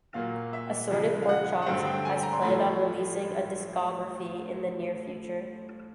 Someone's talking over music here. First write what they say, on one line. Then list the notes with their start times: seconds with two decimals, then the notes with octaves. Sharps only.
Assorted Porkchops has planned on releasing a discography in the near future.
0.14 A#2 F#3 A#3 F5
0.53 E5
0.91 C#3 F3 G#3
1.22 F5
1.29 F#5
1.62 F#5
1.66 G2 D3 F#3 A3 C4 F5
1.86 G5
2.05 G#5
2.23 A#5
2.33 C6
2.42 A2 F3 A3 B5